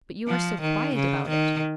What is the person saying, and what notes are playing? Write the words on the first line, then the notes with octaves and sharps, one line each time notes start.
'But you are so quiet about it!
F3
D#3
C#3
D#3